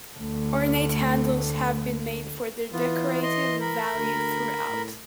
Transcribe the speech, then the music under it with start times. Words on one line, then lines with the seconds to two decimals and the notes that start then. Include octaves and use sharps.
Ornate handles have been made for their decorative value, throughout.
0.17 D2 A3
2.73 E3 B3 F4
3.23 D#5 C6
3.61 A#4 B5
3.96 D2
4.70 A2